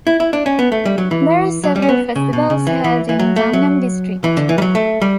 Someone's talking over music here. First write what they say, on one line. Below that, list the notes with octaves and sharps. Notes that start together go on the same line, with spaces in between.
There are several festivals held in Gangnam District.
E4
E4
D4
C#4
B3
A3
G3
F#3
E3
F#3
G3
C#4
B3
C#3
B2
C#3
E3
E3
E3
F#3
A3
F#3
E3
D3
E3
G3
F#3
A3
G3